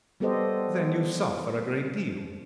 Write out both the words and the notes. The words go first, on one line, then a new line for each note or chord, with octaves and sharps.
"Then you suffer a great deal?"
G3 B3 G4 A4 C5 D#5